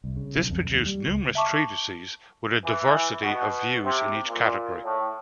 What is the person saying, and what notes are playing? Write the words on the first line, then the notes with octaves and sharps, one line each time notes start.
This produced numerous treatises, with a diversity of views, in each category.
C2
C#3
B1
F2
D#2
G3
C#2
E5 A5 C#6 D6
E3
B2
C3
A#2
A2